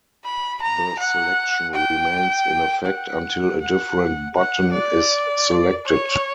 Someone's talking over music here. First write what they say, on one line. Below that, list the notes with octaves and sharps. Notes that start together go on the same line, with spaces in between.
The selection remains in effect until a different button is selected.
B5
A#5
F#5
G5
F#5
F#5
F#5
D5
C#5